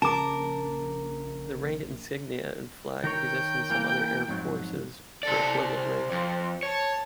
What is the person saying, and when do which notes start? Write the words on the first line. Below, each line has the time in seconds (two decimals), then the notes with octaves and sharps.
The rank insignia and flag exists in some other air forces for equivalent ranks.
0.02 A#1 C#3 A#4 A5 D6
3.04 D#3 A#4 C#5 G5
3.70 E3 A#3 A#4
4.28 F2 G#2 F#3
5.23 C3 A4 D5
5.61 C5
6.11 F2
6.63 C#5 A5